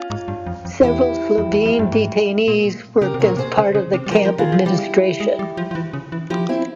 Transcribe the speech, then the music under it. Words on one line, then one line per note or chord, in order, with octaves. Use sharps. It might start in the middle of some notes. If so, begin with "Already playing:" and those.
Several Slovene detainees worked as part of the camp administration.
Already playing: C#4 F4
G#2
G2
F2
F2
E2 E4 G4
F2
E2
F2
G2
G#2
A#2
C#3 G4 A#4
C3
A#4 C#5
A#2
C3 G#4 C5
C#3
C#3
C3
G3
F3 G4 A#4
F3
E3 F4 G#4
F3
G3 E4 G4
G#3
G3
F3
F3
E3
C#3
E3
F3 E4 G4
C4 E4